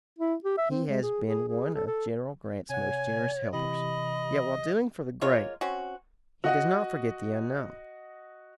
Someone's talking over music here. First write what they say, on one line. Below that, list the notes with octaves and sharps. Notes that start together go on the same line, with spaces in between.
He has been one of General Grant's most generous helpers; yet while doing for the great, he does not forget the unknown.
E4
G4
E5
C4
G#3
G#4
G#4
G#4
A4
A4
C3 C#5 F#5 G#5
C3 E3 G4 D#5 B5
G#3 A#3 F4 C#5
C4 C#4 F#4
F#4 D#5 F#5